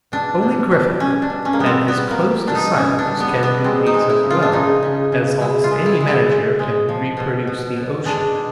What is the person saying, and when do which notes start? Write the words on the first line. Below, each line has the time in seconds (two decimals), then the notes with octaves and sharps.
Only Griffith and his close disciples can do these as well as almost any manager can reproduce the ocean.
0.12 B2 D4
0.42 B2
0.71 G3
1.00 B2 C#4
1.22 D4
1.30 B2
1.45 C#4
1.53 A#3
1.59 G3 B3
1.66 C4
1.88 G3 B3
2.11 A#3
2.18 G3
2.47 B2 D4
2.55 D#4
2.76 B2 C#4
2.99 D4
3.07 G3
3.20 B3
3.36 B2
3.43 B3
3.64 G#3 C4
3.86 D#4
3.94 G#3
4.10 E4
4.24 C#3
4.30 F4
4.42 D4
4.52 C#3 D#4
4.83 C#3
5.12 C#3
5.41 G#3 E4
5.64 F4
5.71 G#3
5.86 E4
6.01 G#3
6.07 E4
6.29 G#3
6.59 G#3
6.89 F3
7.17 B2
7.47 B2
7.77 B2
8.05 G#3 D4
8.35 B2